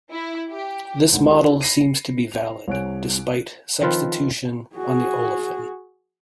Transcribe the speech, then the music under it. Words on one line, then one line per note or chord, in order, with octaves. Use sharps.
This model seems to be valid despite substitution on the olefin.
E4
G4
G#1 D2 G#2
D4 D#4 F4 G4 A4
B5 A#6 C7 C#7 D#7
F7
C2 C3 C#5 G#5 F#6 D7
D#3 F3 C4 F4 B4
F#4 G#4